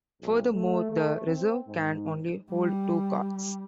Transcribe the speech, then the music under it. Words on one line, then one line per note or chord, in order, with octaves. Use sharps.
Furthermore, the reserve can only hold two cards.
B1
A3
A3
C4
G#2
G3